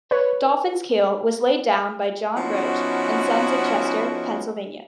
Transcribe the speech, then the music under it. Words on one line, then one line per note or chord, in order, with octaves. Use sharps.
"Dolphin"s keel was laid down by John Roach and Sons of Chester, Pennsylvania.
B4 C#5
F3 B3 C#4 D#4 E4 F#4